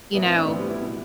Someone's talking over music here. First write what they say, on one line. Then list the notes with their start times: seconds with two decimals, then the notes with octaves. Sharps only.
you know,
0.14 A2 E3 B3
0.25 C4
0.36 D4
0.42 A3
0.47 A2 E3 B3
0.59 G3
0.70 E4
0.81 B2